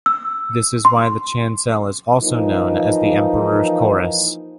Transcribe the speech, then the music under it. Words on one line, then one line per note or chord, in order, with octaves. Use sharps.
This is why the chancel is also known as the Emperor's Chorus.
E6
C6
E3 F3 A#3 D#4